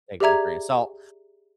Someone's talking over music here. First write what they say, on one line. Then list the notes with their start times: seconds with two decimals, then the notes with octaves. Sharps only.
take it with a grain of salt.
0.20 G4 G#4 D5 E5 A#5 G#6